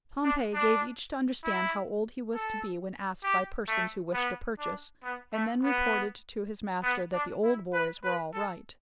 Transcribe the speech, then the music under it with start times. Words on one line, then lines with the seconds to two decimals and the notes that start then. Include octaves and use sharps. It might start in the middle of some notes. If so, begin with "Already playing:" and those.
Pompey gave each to understand how old he was to be when asked by persons who wished to purchase, and then reported to his master that the "old boys" were all right.
0.24 D4
0.54 D4
1.44 E4
2.34 A4
3.23 G4
3.68 A3
4.14 B3
4.58 D4
5.03 B3
5.33 A3
5.64 B3
6.83 B3
7.13 D4
7.43 E4
7.73 B4
8.03 B4
8.34 A4